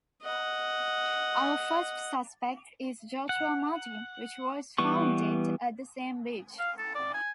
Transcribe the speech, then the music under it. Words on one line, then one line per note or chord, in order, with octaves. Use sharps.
Our first suspect is Joshua Martin, which was found dead at the same beach.
D#5 F#5
F#5
E3 G3 B3 C#6
F5
A4
D5
G#5